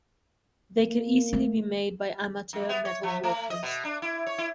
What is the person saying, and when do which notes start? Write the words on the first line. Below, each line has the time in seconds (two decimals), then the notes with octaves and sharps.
They could easily be made by amateur metalworkers.
0.85 A#3
1.33 A3
2.53 F#2
2.69 B3
2.85 C#5
3.03 F3
3.23 A3
3.50 D#5
3.63 B2
3.85 D4
4.02 E4
4.27 C#5
4.38 E4